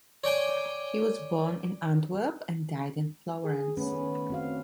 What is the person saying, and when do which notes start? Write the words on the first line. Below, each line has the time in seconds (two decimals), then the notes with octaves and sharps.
He was born in Antwerp and died in Florence.
0.24 C#5 D5 G5 G#5
3.44 G#4
3.77 D#3 A3 B3 C#4
4.30 C4 F#4 F5